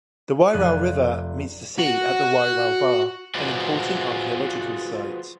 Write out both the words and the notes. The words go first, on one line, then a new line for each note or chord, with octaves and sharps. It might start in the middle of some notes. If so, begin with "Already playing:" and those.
The Wairau River meets the sea at the Wairau Bar, an important archaeological site.
F1 D5 F#6 D#7
F#4
F4 F#4 G#4 B4 C5 D5